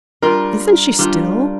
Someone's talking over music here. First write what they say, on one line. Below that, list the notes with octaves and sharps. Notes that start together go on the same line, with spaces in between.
"Isn't she still?"
G3 D4 F4 A#4
G3 D4 F4